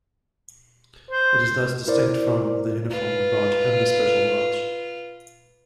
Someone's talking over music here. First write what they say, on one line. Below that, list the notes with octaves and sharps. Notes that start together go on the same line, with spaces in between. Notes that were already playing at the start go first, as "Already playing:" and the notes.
It is thus distinct from the Uniformed Branch and the Special Branch.
C5
E4 A#4 C5 D5
F4 B4